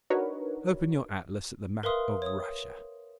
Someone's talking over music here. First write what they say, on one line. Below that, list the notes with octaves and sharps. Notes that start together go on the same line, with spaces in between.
Open your atlas at the map of Russia.
D4 D#4 F#4 A#4 B4 C#5
A#4 B4 E5 F5 C6 D#6
C#5 D#6